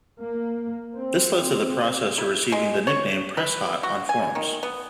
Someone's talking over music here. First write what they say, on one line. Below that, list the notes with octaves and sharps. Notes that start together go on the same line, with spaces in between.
This led to the processor receiving the nickname "PresHot" on forums.
A#3
C4
E4
G#3
C#5
B4
F#4
G#5
D#3
B3